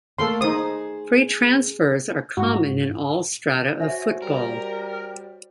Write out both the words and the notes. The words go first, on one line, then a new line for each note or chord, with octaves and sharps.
Free transfers are common in all strata of football.
A3 A#3 A4 C6
D#4 G#4 C5 D#6
G#2 F#4
F#4 C5 C#5 E5 G#5
G3 A#4